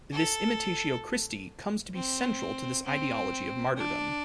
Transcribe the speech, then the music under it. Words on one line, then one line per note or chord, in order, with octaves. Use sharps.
This imitatio Christi comes to be central to this ideology of martyrdom.
A4
C4
C4
D4